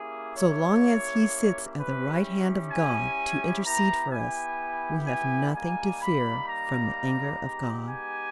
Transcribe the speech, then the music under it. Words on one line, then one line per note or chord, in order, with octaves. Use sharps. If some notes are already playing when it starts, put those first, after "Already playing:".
So long as He sits at the right hand of God to intercede for us, we have nothing to fear from the anger of God.
Already playing: A#3 C#4 E4 G4 G#4
C#5
G3 C#4 E4 G4 B4
G#5
B3 E4 G4 A#5
G#5
G#5
G3 A#3 D#4 G#5
B5
A#5
G#3 B3 D#4 G4
G#5